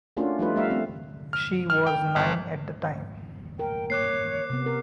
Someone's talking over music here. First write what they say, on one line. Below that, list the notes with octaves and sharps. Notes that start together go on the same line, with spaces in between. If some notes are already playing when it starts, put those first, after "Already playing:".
She was nine at the time.
A3 A#3 C#4 D4 F4 F#4
F3 G3 A3 D#4 F4 B4
G3 A3 B3 A#4 E5 F5
A3 A#3 C4
F6
F6
G5
G1
A#4 G5
A#3 C#5 D6 F#6 C7
C3 B3
A#4